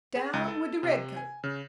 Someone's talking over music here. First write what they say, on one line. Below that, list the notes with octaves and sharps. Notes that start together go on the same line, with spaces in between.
Down wid de redcoats!
G#4
C#2
A4
C3
G#5
C#3